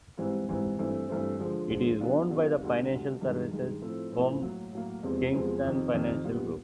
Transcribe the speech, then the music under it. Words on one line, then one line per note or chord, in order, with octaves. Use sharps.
It is owned by the financial services firm Kingston Financial Group.
G#2 E3 G3 C4
G#2 E3 G3 C4
G2 E3 A3 C4
G2 E3 A3 C4
D3 F3 G#3
D3 F3 G#3
C#3 F#3 B3 D4 F4
C#3 F#3 B3 D4 F4
D2 D3 G3
D2 D3 G3
G2 D#3 G#3
G2 D#3 G#3
A2 F3 A3 C4 E4
A2 F3 A3 C4 E4
A2 F#3 A#3
A2 F#3 A#3
E2 C3 F3 G#3 C4
E2 C3 F3 G#3 C4
F2 C3 D#3
F2 C3 D#3
A#2 G3 B3